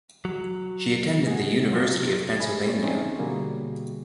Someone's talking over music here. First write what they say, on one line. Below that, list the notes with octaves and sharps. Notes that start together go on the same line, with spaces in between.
She attended the University of Pennsylvania.
F#3
G#4 F#5
F#3 F4 G4
E5 G#5 B5
C4 C#5 D5 A6
F3 C4 C#4 D#4 G#4 E5
B2 D3 G3 A#3 F#4 G#4